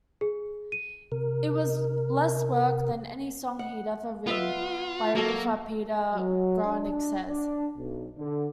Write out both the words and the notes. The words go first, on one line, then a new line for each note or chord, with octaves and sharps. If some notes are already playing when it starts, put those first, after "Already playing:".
"It was less work than any song he'd ever written," biographer Peter Guralnick says.
G#4
D#7
C3 A#4
F#5
B3 F4 B4 E5
F#3 A#3 A4
F#3
D4
D4
B1
D3